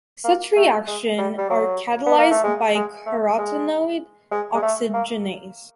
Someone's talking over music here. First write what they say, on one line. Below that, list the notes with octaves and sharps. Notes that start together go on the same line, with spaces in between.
Such reaction are catalyzed by carotenoid oxygenase.
A#3
A3
G#3
G3
G3
F#3
B3
A#3
A3
G#3
G#3
A3
G#3
G#3
G#3
A3
A#3